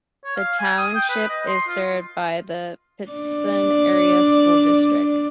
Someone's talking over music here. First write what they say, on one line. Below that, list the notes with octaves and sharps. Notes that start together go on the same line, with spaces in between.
The township is served by the Pittston Area School District.
C#5
F5
G#5
D#6
G5
B4
D#5
C6
F4
D4 D5